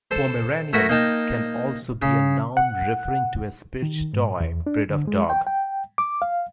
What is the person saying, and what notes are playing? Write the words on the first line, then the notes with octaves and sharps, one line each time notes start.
"Pomeranian" can also be a noun referring to a Spitz toy breed of dog.
A4 C5
A3 E4 F#4 A#4 E5 F#5
A#3 D#4 A#4 G5 A5
C#3
F#5
D#3
G#2
E2
D4
D3
G#3
G5
G5
D6
F5